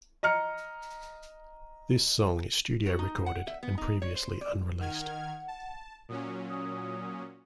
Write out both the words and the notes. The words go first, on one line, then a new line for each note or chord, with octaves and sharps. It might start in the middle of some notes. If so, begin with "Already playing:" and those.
This song is studio-recorded and previously unreleased.
D#5 A#5 F6 C#7
F#4
D#4
F#5
E5
B3
D#4
C#5
C5
D5
D#3 F#5 F6 G#6
A5
A#2 F#3 C#4 D#6
D#6